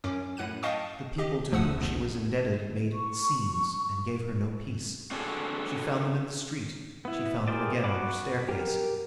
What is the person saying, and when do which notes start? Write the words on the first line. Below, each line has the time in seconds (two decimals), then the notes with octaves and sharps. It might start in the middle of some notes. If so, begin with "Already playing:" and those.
The people to whom she was indebted made "scenes" and gave her no peace. She found them in the street, she found them again on her staircase.
0.04 F#2 C#4 D6
0.37 F#2 A2 F#5 F#6 D#7
0.63 D#5 F5 G5 A5 C#6 D#6
1.18 G4 D#5
1.52 D2 F3 A3 F#5 D#6 E6
1.78 A#1 E2
2.93 C#6
5.11 C4 D4 F#4 G#4 A4
7.05 B3 E4
7.48 G4 G#4 A#4 C5 D5
7.84 F#4 F#5 B5 D6
8.49 G4 A#4